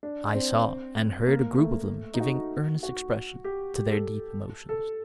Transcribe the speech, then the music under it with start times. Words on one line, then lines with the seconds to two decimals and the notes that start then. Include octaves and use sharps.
I saw and heard a group of them giving earnest expression to their deep emotions.
0.03 D4
0.34 C4
1.27 A#3
1.58 A3
2.14 D#4
2.20 F#4
2.83 F#4
3.44 G4
3.75 G4
3.91 A4
4.69 A4